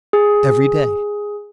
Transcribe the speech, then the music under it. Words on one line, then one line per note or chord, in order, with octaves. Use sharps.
'Every day.
G#4